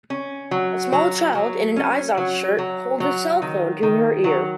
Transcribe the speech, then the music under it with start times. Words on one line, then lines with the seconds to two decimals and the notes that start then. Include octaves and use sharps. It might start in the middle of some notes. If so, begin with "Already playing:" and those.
A small child in an Izod shirt holds a cellphone to her ear.
0.10 C#4
0.51 F#3
0.93 F#3
1.35 F#3
1.76 C#4
2.18 F#3
2.58 F#3
3.00 F#3
3.42 D#3
3.83 D#3
4.24 F#3